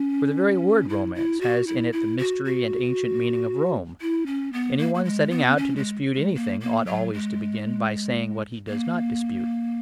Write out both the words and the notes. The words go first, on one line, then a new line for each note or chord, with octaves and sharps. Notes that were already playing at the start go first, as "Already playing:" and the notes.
For the very word "romance" has in it the mystery and ancient meaning of Rome. Any one setting out to dispute anything ought always to begin by saying what he does not dispute.
Already playing: C#4
E4
E4
F#4
E4
E4
F#4
F#4
E4
C#4
B3
A#3
A#3
G#3
B3
C#4
G#3
G#3
A#3
A#3
F#3
G#3
A#3